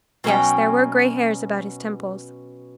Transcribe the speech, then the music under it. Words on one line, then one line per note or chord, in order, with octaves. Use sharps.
Yes, there were gray hairs about his temples.
B2 F#3 C#4 G5